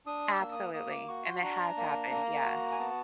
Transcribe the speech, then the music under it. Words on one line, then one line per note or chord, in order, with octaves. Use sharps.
Absolutely, and it has happened, yeah.
D4 D#6
E6
A#3
D#6
A#3 D#6
D6
F#4 C#6
C6
D4 A#5
A#3
A#3
F#4
G#5
B3 A5